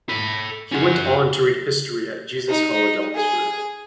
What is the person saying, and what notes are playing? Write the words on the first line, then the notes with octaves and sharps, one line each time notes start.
He went on to read history at Jesus College, Oxford.
A4 B5
C#4 F#4
D#4
G#4